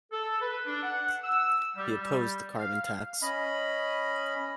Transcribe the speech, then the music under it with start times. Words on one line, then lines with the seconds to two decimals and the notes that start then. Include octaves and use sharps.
He opposed the carbon tax.
0.12 A4
0.41 B4
0.66 D4
0.83 F#5
1.24 E6
1.76 G3
1.99 G3
2.59 F5
3.22 C#4 D#5 B5